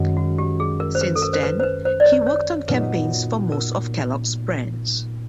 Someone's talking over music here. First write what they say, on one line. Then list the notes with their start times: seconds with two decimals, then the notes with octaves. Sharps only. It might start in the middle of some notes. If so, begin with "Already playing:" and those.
Since then, he worked on campaigns for most of Kellogg's brands.
Already playing: F#2 D#3 G#3
0.17 F#4
0.38 G4
0.60 G#4
0.80 A#4
0.95 C5
1.01 B4
1.16 A4
1.22 A#4
1.33 C5
1.43 B4
1.60 C5
1.63 B4
1.85 C5
2.00 D5
2.06 C#5
2.27 C#5
2.68 A#2 F#3 B3 D#4 B4
3.52 A#4